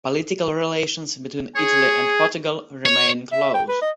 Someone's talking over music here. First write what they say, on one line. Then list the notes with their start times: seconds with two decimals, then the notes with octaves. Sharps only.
Political relations between Italy and Portugal remain close.
1.56 G#4 C#5
2.85 C#5
3.32 E5
3.54 G5
3.69 B4
3.82 D#5